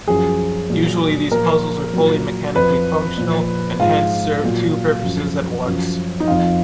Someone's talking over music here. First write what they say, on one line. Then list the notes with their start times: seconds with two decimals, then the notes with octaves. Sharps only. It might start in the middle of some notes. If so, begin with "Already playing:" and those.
Usually these puzzles are fully mechanically functional and hence serve two purposes at once.
0.08 F#2 F3 G#4
0.70 A#2 F#3
1.31 A#2 F3 A#4
1.93 A#2 F#3
2.56 F2 F3 B4
3.18 A#2 F3
3.80 G#2 F3 F4
4.42 A#2 F#3
5.04 F#2 F3
5.66 F#2 F3
6.20 D#4
6.28 F2 F3 F4